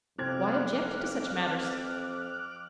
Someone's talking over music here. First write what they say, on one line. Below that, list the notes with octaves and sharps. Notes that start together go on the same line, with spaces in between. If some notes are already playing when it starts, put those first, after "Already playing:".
Why object to such manners?
F2 C3 C4 D6 F6 F#6 G#6